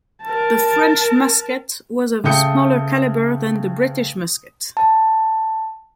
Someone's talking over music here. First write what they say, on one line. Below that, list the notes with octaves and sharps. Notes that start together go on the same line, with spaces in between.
The French musket was of a smaller caliber than the British musket.
A#4 A5
C#3 A3 G5 D#6 G6 C#7
A5